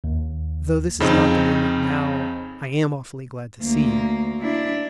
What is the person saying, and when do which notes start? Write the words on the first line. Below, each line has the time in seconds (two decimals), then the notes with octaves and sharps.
Though this is not the moment now, I am awfully glad to see you.
0.04 D#2
1.00 F2 C#3 C4 D#4
3.62 D2 A#3
4.40 D4 E4